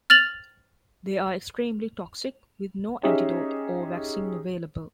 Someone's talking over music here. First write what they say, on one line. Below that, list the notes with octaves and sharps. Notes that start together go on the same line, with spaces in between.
They are extremely toxic with no antidote or vaccine available.
F6 A6 F7 F#7
C#4 D#4 G4 G#4 E5